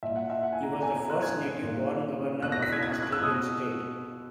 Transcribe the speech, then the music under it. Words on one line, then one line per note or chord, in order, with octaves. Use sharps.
He was the first native-born governor of an Australian state.
A#2 E5
F#5
E5
F#5
G#5
A#5
A#5
B2 G#5
A#5
F#6
G#6
A#2
B2 F#6
A#6
B6
G#6
G#6
F#6
F#6
E6
B2 D#6